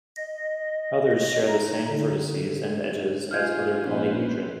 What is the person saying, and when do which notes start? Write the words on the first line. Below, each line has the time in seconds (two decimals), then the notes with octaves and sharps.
Others share the same vertices and edges as other polyhedron.
0.17 D#5
1.11 D#5
1.49 D#4
1.87 D3
3.31 F4 G#4 F6 G6 G#6
3.85 A#1 C#4 B4 C5